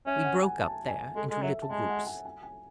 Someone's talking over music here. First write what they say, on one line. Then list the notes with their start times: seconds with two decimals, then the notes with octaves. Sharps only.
We broke up there into little groups.
0.06 C#4 E5
0.24 F#5
0.43 G#5
0.61 A5
0.88 G#5
1.15 G#3 A4
1.30 G#3
1.43 F#3 E5
1.62 A5
1.70 G#3 G#5
1.88 F#5
2.07 G#5
2.25 G#5
2.43 G#5